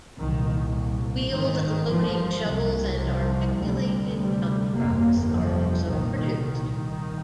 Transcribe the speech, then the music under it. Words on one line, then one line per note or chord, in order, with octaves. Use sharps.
Wheeled loading shovels and articulated dump trucks are also produced.
C2 A#2 D#3
G#1 G2 D#3
F3
C2 C3
F3
D2 C3 G3
G3
G1 F2 C3 A#3
F3
C2 A#2 D#3
D#3
D#3